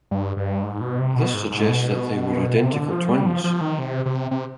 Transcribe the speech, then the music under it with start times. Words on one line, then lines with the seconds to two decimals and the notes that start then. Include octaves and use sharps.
This suggests that they were identical twins.
0.11 G2
0.37 G2
0.63 G#2
0.81 B2
0.99 C3
1.16 B2
1.34 G#2
1.51 G#2
1.68 B2
2.62 C3
2.73 D3
2.91 F3
3.09 G3
3.26 F3
3.44 F3
3.61 D#3
3.79 C3
4.06 C3
4.31 C3